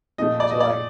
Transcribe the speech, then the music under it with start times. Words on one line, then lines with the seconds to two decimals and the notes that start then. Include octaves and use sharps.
So, like,
0.18 A#2 F3 A3 D#5
0.40 D5
0.51 D#5
0.60 D5